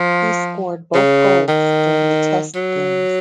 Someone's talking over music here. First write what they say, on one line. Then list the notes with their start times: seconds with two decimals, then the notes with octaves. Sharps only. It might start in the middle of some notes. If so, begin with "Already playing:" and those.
He scored both goals during the test games.
Already playing: F3
0.94 C#3
1.48 D#3
2.55 F#3